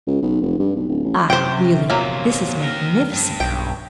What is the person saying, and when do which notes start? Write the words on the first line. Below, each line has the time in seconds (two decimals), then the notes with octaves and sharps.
Ah, really this is magnificent!
0.07 C#2
0.22 B1
0.41 F1
0.59 G2
0.75 B1
0.89 D1
1.04 A1
1.30 F#2 C3 C5 F#5 G5
1.90 E2 A#2 F#3 A#3
2.60 D#2 A#4
3.13 G2
3.40 B1 G5